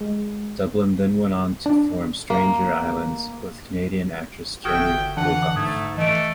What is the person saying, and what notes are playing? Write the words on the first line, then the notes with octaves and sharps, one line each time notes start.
Dublin then went on to form Stranger Islands with Canadian actress Joanie Wolkoff.
G#3
D4
A#3
G1 F#4 A4 E5 G5 D#6 F6 G#6
F2 D3 E3 F#5 A5
G#2 A3 D#6 G#6
E3 A3 D#5 D7